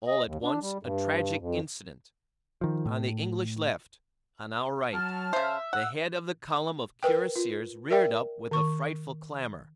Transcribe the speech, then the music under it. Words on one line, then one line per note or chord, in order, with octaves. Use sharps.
All at once, a tragic incident; on the English left, on our right, the head of the column of cuirassiers reared up with a frightful clamor.
D#5
D#2
D4
G3
G2
F2
D#3 F3
A2
F#3 A5 F6
C#3 C5 E5
F#5 E6
A#4 B4 G5
F4
A#4 D5 E5 G5
D#3 C#6